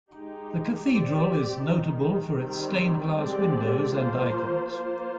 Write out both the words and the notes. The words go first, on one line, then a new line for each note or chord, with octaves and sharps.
The Cathedral is notable for its stained glass windows and icons.
G#3 D#4 G4
C4 G4 D5
D#3 G#3 D#4
D#3 G3 C4
D3 G#3 C4 G4 D5
F3 A#3 F4 C5
A#3 F4 C5